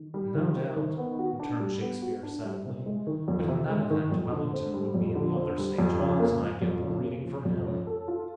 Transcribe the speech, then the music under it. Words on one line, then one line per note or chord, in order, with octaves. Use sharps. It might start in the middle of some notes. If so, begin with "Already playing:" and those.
"No doubt," returned Shakespeare, sadly; "but in that event Wellington would be in the other stage-box, and I'd get the greeting from him."
Already playing: D#3
G3
D#3
C4
D#3
B3
F#4
D4
G3
B3
F#4
D4
G3
C3
G#3
D#3
F2
C3
G#3
D#3
F2
D3
C4
G3
F2
D3
C4
G3
F2
C#3
A#3
F3
F2
C#3
A#3
F3
F2
C#4
A4
F4